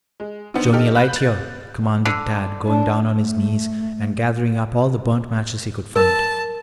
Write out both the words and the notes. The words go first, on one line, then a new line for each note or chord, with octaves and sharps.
"Show me a light here," commanded Tad going down on his knees and gathering up all the burnt matches he could find.
G#3
D3 D#3 B3 C4
D#4 G4 A4 F6
B5 F#6 G6
A6
D3
D4
A3
A#4 A5